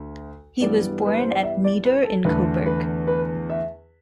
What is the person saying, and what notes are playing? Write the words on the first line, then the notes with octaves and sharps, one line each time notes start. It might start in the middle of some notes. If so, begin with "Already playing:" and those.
He was born at Meeder in Coburg.
Already playing: D2
G2 E3 G3 B3 D5
B4
C5
D5
E5
D5
B4
A4
E2 D3 A3 B4
B4
B4
E5